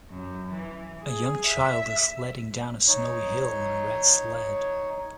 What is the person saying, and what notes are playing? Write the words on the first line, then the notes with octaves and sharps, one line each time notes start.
A young child is sledding down a snowy hill on a red sled.
F#2
E3
G#4
E5
D#4 C#5